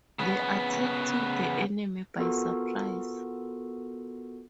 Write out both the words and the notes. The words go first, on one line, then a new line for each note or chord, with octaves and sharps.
The attack took the enemy by surprise.
C#3 B3
B3 F4 F#4 A4 A#4